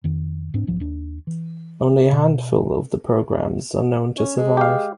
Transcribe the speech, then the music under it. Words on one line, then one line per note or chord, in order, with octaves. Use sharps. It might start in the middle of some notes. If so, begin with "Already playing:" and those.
Only a handful of the programmes are known to survive.
F2 D#3
E1 G#2 C4 D4
D#1 B1 G#2 F3
D#2 D4
E3
B2
C#4
G#3
G4 F5